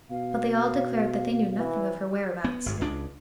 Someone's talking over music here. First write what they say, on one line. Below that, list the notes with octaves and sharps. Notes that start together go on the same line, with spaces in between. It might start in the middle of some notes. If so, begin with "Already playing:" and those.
But they all declared that they knew nothing of her whereabouts.
B2 F5
E3
B3
G#1 G2
C#2 C#3 D4